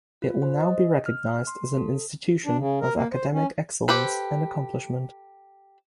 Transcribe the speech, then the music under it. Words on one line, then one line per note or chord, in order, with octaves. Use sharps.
It will now be recognized as an institution of academic excellence and accomplishment.
F4
C5
D#5
F6
C6
A4
D4
C#3
A#4
A#3
C5
C#4
G4 A4 B4 C5